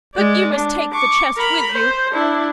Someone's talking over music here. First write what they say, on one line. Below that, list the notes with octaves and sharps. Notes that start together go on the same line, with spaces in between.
'But you must take the chest with you.
G#3 D5
D4
C#6 D6
A#4 B5
C5
D4 E4